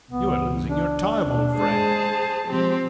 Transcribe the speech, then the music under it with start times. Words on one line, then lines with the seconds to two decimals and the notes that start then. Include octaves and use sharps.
You are losing your time, old friend.
0.11 C#2 E3 B3
0.69 D4
1.25 D#2 B2
1.56 G#3 G#4 C5 A5
2.47 F3 G#3 C4 G4 C5